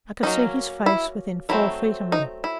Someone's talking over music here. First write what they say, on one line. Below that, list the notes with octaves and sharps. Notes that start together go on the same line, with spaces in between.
I could see his face within four feet of me.
F#3 A#3 C#4 D#4
E4
F#3 A3 C4 E4
D#4
E4